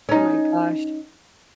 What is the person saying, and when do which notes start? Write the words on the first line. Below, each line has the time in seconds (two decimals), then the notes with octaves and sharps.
Oh my gosh.
0.09 C#4 D#4